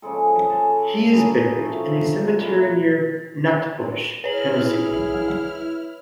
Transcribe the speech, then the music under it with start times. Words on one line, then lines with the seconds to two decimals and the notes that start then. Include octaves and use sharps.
He is buried in a cemetery near Nutbush, Tennessee.
0.02 C#3 F3 G#3 A4
0.49 A4 G#5 A5
1.12 C#4 D#4 F4 B4
1.58 F3 A3
2.40 A#3 E4 A#4
4.24 E4 G#4 B4 C#5 F6 F#7